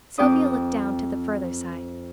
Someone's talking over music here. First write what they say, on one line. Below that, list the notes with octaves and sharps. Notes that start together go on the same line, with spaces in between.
Sylvia looked down to the further side.
F2 G5 D6 D#6